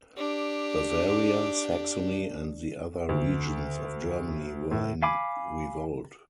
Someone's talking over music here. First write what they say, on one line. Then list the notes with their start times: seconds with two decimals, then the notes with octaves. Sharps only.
Bavaria, Saxony, and the other regions of Germany were in revolt.
0.17 D4 G4
3.09 D2
4.71 A2
5.02 F5 G#5 B5 D6